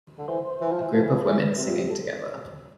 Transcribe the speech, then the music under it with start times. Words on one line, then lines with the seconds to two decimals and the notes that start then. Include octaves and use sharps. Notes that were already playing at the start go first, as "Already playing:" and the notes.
A group of women singing together.
0.18 D3
0.28 E3 C5
0.61 E3
0.71 F3
0.82 E3
0.93 F3 B4
1.04 E3
1.14 F3
1.26 E3
1.58 C3 G4
1.68 F4
1.79 G4
1.90 A4